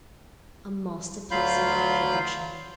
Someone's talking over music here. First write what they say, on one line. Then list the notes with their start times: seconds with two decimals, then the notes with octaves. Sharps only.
A masterpiece in retrogression.
1.31 D2 F#3 F4 F5 B5 G6